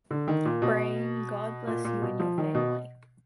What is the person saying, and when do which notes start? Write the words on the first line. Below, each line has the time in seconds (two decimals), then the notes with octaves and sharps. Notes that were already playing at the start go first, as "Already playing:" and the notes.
Brain, God bless you and your family.
0.11 D3
0.28 D#3
0.45 A#2
0.62 B2
1.67 A#2
1.85 A#2
2.02 B2
2.19 F3
2.38 D#3
2.55 B2